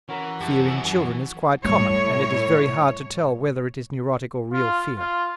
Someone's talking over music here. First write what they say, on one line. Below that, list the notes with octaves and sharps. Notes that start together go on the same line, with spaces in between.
Fear in children is quite common and it is very hard to tell whether it is neurotic or real fear.
E3 C#4 F#4 A#4 A#5
F#2 G4 A5
A2 G3 C#5
F4
F4